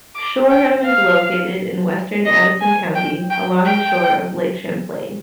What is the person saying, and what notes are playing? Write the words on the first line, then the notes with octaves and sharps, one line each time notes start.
Shoreham is located in western Addison County along the shore of Lake Champlain.
D6
G5
F5
D#5
G#5
G5
G5
G5